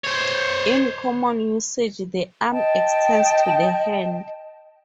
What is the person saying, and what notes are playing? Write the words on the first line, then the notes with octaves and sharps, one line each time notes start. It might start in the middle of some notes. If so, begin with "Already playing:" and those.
In common usage the arm extends to the hand.
C5 C#5
D#5 G5 A5